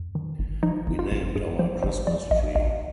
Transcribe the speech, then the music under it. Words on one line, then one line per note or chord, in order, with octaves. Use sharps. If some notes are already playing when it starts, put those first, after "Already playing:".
We named our Christmas tree.
Already playing: F2
D#3
G1
F3 D#4
G1
F4
G1
G2 G#4
F3 C5
G1 C5
F3 D5
A#1 D#5
A#1 D#5